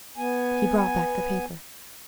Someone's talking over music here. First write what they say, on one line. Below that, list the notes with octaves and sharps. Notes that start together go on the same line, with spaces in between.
He brought back the paper.
B3 G#5